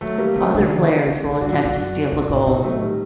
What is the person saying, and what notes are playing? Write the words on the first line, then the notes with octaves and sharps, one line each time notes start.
Other players will attempt to steal the gold.
D#3 F#3 A3
G3 A#3
D3 A3 C4
C3 A#3 D4
D3
D#3
D3
C3
G2 D4 F#4
A2
D4 F#4
G2
F#2
G2
A2
A2 C4 D#4
A#2
A2 F#3 A3
D#3 G3